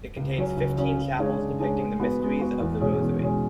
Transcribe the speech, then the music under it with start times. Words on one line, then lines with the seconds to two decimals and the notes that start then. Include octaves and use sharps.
It contains fifteen chapels depicting the mysteries of the Rosary.
0.16 C#2
0.36 C#3 F#3 C#4
0.57 C#2
0.77 C#3 F#3 C#4
0.98 C#3
1.18 G#3 D4 G#4 C#5
1.39 C#3
1.59 G#3 D4 G#4 C#5
1.78 G#3
2.00 B3 F#4 B4
2.20 G#3
2.39 B3 F#4 B4
2.60 E2
2.81 B2 G#3 C#4 G#4
3.01 E2
3.21 B2 G#3 C#4 G#4